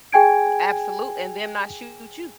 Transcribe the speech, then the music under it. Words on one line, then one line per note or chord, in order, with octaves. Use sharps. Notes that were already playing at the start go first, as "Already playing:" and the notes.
Absolute and then I shoot you.
G#4 G5 G#5 G#6 D7